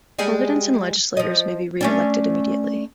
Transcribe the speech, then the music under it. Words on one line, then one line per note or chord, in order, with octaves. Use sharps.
Presidents and legislators may be re-elected immediately.
G3 G#3 G#4
F3 D#5
A3 C#4 D4